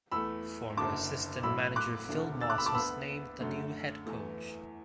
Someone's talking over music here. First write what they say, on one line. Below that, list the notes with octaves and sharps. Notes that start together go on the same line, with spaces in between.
Former assistant manager Phil Moss was named the new head coach.
E2 E3 A3 B5 E6
F#1 F#2 D3 A5 D6
A1 A2 F#3 B5 E6
D6 F#6
E1 D2 D3
E6 A6
D6 F#6
B5 E6
A5 D6
D2 D3 B3 B5 E6
F#2 D3 A3
E2 E3 A3